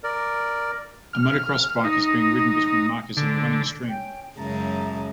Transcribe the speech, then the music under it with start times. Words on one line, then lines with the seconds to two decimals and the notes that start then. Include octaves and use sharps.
A motocross bike is being ridden between markers in a running stream.
0.04 A#4 D5
1.13 F6
1.84 D#4
3.17 D3
3.89 C#4 G5
4.37 F#2 C#3 G#3 E4 A5 A#5